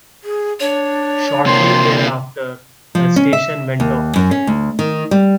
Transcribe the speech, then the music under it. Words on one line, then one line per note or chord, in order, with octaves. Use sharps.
Shortly thereafter, the station went off the air.
G#4
D4 C#5
C3 A#3 C6
F3
C#4
E5
D#2
F#2
C#4
D2
D#3
G3